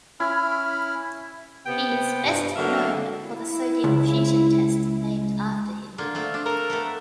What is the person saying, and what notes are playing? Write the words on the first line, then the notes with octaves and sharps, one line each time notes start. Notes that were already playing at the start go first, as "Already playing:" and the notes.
He is best known for the sodium fusion test named after him.
C#4 E4 B5 F6
C3 B3 G5
G2
D3 F#3 A#3 F#4 E5 F5
E4
C#2
D3 A#3 F4
A3 C4 F4
D4
A4 A#4
A3 B3 A4